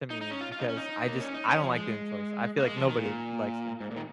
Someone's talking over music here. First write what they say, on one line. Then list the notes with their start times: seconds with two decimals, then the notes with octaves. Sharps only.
to me because I just I don't like doing chores. I feel like nobody likes doing chores,
0.10 D#4
0.21 D#4
0.31 C#4
0.41 F4
0.52 F4
0.60 D#4
0.69 C#4
0.77 D#4
1.08 A#3
1.21 C#4
1.34 D#4
1.48 C#4
1.62 F3
1.76 G#3
2.58 A#3
2.68 G#3
2.77 F3
2.88 D#3
2.98 A#2
3.80 G#2
3.91 A#2
3.96 D#3